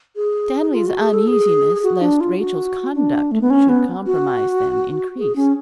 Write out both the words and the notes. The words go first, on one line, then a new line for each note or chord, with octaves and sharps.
Stanley's uneasiness lest Rachel's conduct should compromise them increased.
G#4
F4
F#4
G#4
A4
G#4
F#4
D4
F4
F#4
D4
A3
B3
C#4
B3
F#4
G#4
C#4